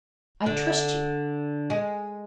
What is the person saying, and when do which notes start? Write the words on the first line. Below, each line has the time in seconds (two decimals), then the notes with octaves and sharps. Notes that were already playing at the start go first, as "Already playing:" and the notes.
I trust you.
0.46 D3
1.70 G#3